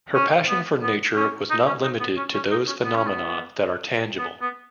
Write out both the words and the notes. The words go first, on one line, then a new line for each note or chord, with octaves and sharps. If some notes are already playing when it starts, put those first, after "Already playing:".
Her passion for nature was not limited to those phenomena that are tangible.
C#4
B3
B3
C#4
D#4
C#4
D#4
B3
C#4
C#4
D#4
C#4
B3
C#4
B3
B3
B3